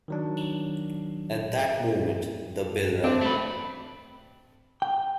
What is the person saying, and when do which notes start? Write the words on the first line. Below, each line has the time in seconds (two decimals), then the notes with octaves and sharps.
At that moment the bell rang.
0.08 D#3 F#3 D4
3.04 C4 D4
3.21 A3 B4
4.82 G5